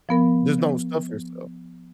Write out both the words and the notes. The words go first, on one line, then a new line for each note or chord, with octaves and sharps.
just don't stuff yourself,
F3 B3 A#4